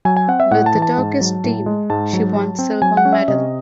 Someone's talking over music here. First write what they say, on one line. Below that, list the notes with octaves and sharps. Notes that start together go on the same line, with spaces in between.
With the Turkish team, she won silver medal.
F#3 G#5
G#5
C4 F#5
E5
A2 F#5
A5
E3
A5
G#2
F#3
A2
G#3
G#2 A5
F#3
F#3
C4
F#3 G#5
F#5
C#4
E5
C3 D#5